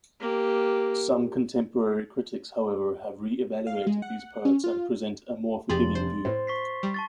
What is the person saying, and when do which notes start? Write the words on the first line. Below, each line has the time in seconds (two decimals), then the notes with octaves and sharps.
Some contemporary critics, however, have reevaluated these poets and present a more forgiving view.
0.20 A#3 G4
3.67 F5
3.87 G#3
4.02 F#5
4.45 C#4
4.64 F4
5.69 F1 G4 G#4 C6 A6
5.95 C5
6.25 A2 C5
6.47 C#6 B6 C7
6.83 G3
6.94 A5 C#6 A6